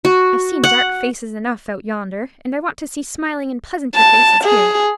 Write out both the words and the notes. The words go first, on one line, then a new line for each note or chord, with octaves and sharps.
I've seen dark faces enough out yonder; and I want to see smiling and pleasanter faces here.
F#4
F#5
A5
G#4